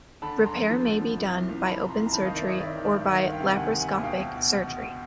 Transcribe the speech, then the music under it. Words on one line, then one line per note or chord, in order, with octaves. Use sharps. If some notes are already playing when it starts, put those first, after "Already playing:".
Repair may be done by open surgery or by laparoscopic surgery.
D3 A5 B5
D3
A#5 C6
F2
F3
D3
F3
C2
C2
C2
C2 A5 B5
C2
A#5 C6
C2
A#5
D#3 A5 B5
D#3 D#5 F5
D5 E5
G2 C#5 D#5
D#3 D5 E5
D#3
D5 E5
G2
D#3 E5 F#5
D2
F5 G5
C3
D2 F#5 G#5
D2
F#5 G#5
D2
B2 F5 G5
C#2
B2
C#2
B2